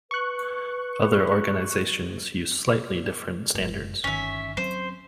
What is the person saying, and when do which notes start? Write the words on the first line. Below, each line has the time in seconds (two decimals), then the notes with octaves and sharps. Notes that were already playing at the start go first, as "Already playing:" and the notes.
Other organizations use slightly different standards.
0.11 B4 C#6 F#6
3.55 F#1 G#2
4.04 G1 D#3 C#4 E5
4.57 F#3 C4 C#4 C5